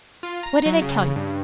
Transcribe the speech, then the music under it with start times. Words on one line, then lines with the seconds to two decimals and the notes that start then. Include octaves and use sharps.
What did I tell you?
0.23 F4
0.43 A#5
0.66 F#3
0.82 C#3
1.16 G2